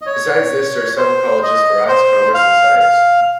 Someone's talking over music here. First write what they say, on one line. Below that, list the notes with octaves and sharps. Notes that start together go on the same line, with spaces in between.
Besides this, there are several colleges for arts, commerce and science.
D#5
C#5
C5
D#5
C5
F5
F5